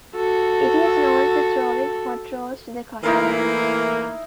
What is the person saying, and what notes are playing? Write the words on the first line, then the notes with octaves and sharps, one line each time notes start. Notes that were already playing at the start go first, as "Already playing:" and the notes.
It is known for throwing hot rolls to the customers.
F#4 A4
E3 A3 A#3 D#4 E4 F5